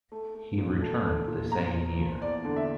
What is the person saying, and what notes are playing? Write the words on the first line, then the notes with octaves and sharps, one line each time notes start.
He returned the same year.
A3
A3
A#2
A3
A3
A#2
E2 A#5
F3
F3
E2 D5
D3
E5